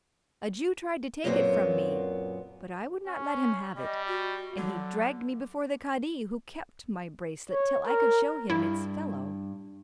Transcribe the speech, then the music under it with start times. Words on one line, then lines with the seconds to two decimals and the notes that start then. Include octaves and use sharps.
A Jew tried to take it from me, but I would not let him have it, and he dragged me before the kadi, who kept my bracelet till I could show him its fellow.
1.24 F#2 A#2 F#3 G#3 B3 C4
3.07 C#4
3.77 G3 D#5
4.07 F#4
4.57 D3 F#3
7.51 C#5
7.86 A#4
8.50 G2 E4